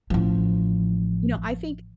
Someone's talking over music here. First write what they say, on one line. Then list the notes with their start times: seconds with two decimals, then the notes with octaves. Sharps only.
you know, I think
0.10 A1 F3